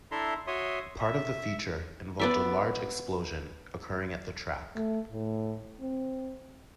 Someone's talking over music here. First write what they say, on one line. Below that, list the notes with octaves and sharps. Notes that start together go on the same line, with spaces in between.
Part of the feature involved a large explosion occurring at the track.
D4 E4 A4 E5 A#5 C6
F#4 C#5 E5 C6 D#6
E5
B3 D5 E5
A3
A2
C4